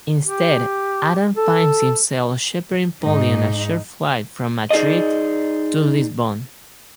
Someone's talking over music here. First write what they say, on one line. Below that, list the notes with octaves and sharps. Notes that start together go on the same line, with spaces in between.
Instead, Adam finds himself shepherding Polly on a short flight from Madrid to Lisbon.
G4
A4
G#2 D#4
D#4 G#4 D5 D#5